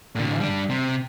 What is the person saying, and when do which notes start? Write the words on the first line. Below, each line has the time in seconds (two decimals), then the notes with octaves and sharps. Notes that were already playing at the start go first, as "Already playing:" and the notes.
Why not?
0.15 A2 D3
0.40 G3 D4
0.70 C3